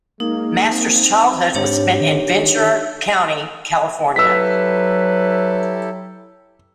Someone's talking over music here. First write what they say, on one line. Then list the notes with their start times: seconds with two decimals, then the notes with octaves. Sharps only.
Masters' childhood was spent in Ventura Country, California.
0.20 G#3 A#3 D#4
0.71 C4
1.55 G#2 D4 G4 C#5
2.01 D#3
2.30 D#4
4.16 F#3 E4 G4 A4 B4 E6 B6